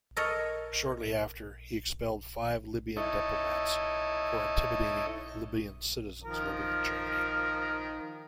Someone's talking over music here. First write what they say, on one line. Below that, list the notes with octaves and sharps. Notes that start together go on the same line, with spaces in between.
Shortly after, he expelled five Libyan diplomats for intimidating Libyan citizens living in Germany.
A4 A#4 C#5 D#5
D#4 E4 A4 C#5 D#5
D#3 F3 A#4